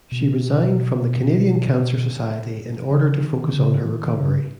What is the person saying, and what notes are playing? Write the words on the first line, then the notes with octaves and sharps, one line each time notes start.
She resigned from the Canadian Cancer Society in order to focus on her recovery.
B2
C#3
D#3
C#3
D#3
C#3